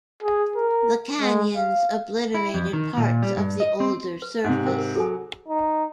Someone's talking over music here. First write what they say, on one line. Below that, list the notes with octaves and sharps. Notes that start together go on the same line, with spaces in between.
The canyons obliterated parts of the older surface.
G#4
A#4
G#3
F5
E4
F2
D#3
A#2
G3
G2
D#5
C4
B4
G#2 C3
A#4 C5 G5
A#4
F#3 G#4 A4 G#5
D#4